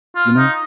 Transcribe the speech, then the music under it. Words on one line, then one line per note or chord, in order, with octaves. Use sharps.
you know?
F4
D#4